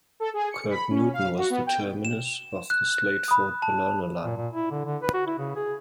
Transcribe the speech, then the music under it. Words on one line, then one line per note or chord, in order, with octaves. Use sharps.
Kirknewton was the terminus of the Slateford-Balerno line.
A4
G#4
C#7
B5
C#4
F5
F#4
B3
G5
E7
F#6
B5 D#6
A5
A#2
A#2
E4
D3
D3
B4
F#4
E4
C#3
G#4